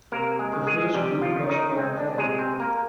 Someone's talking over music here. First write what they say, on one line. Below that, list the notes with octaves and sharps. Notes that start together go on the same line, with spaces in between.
The first group lost one plane.
C3 A#3 A#4
G#3 G#4
D#3
G#3 G#4
C3 G3 G4
F3 F4
D#3
D#3 D#4
G#3 C4
D4
C3 G#3 G#4
C4 C5
A#3 A#4